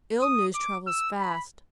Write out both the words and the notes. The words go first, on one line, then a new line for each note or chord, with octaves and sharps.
Ill news travels fast.
D#6
D6
E6
B5